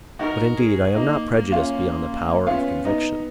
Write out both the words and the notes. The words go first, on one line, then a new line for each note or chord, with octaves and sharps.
But, indeed, I am not prejudiced beyond the power of conviction.
D#4 F#4 A#4
G#4
A#3 D#4
A#3
C#4 F4
B3 C#4 F4
B3 D#4